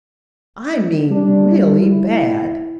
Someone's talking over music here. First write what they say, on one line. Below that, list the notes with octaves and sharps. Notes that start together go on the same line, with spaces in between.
I mean really bad.
G3 D4
E4